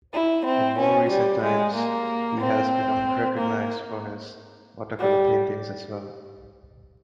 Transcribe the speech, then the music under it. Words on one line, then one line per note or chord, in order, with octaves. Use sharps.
In more recent times, he has become recognised for his watercolour paintings as well.
E4
C4
C#4
G3
G#3
A#3
C4
A#3
G3